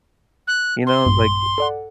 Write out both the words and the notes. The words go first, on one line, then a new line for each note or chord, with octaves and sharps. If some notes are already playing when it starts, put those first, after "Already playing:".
you know, like
F#6
C6
A#1 G2 A#2
A4 D5 F#5